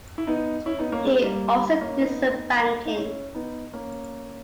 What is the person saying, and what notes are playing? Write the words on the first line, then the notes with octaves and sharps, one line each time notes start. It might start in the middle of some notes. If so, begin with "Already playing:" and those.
He also did some banking.
E4
B3 D#4
C#4 E4
B3 D#4
A#3 C#4
G#3 B3
G3 A#3
A#3 C#4
B3 D#4
D#4
C#4 E4
B3 D#4
A#3 C#4